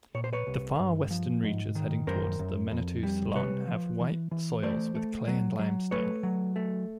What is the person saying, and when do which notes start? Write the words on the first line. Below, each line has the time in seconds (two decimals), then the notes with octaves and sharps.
The far western reaches heading towards Menetou-Salon have "white" soils with clay and limestone.
0.15 A#2 C#5
0.24 C5
0.33 B4 C#5
0.47 C2
0.79 G2
1.11 F3
1.44 G#2
1.75 D#3
2.07 F#2 A#4 C5
2.39 F#2
2.71 F2
3.03 G3
3.35 C3 B4 C#5
3.68 F3
4.00 E3
4.31 E3
4.63 A3 C5 D5
4.95 A3
5.27 F#3
5.59 F#3
5.91 A3 B4 C#5
6.23 F#3
6.56 A3